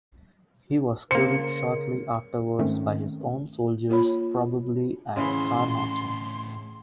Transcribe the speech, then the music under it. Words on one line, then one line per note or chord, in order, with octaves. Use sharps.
He was killed shortly afterwards by his own soldiers probably at Carnuntum.
C#3 A#3 A#4 C5 C#7
G#2 D#3 A3 C4 C#4
A#3 F4 C#5 B5
A2 C#3 E3 F#4 C6